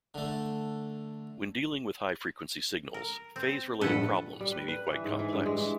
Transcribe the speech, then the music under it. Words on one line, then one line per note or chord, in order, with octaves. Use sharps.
When dealing with high frequency signals, phase-related problems may be quite complex.
D3 A3
A#4
C4
A#1 G2 A4 B4 F#5
G3
B4
B4
E3
G#2
E3
G2
G#3
E3